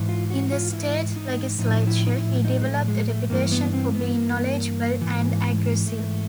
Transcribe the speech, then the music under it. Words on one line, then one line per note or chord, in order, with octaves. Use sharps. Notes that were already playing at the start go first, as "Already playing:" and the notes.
In the state legislature he developed a reputation for being knowledgeable and aggressive.
Already playing: G#2 E3
F4
F#4
F4
E4
D#4
A2 F3 D#4
D#4
E4
D#4
E4
D#4
G#3
A3
G#3
A3
G2 E3 A#3
B3
C4
B3
A#3
G#2 E3
A3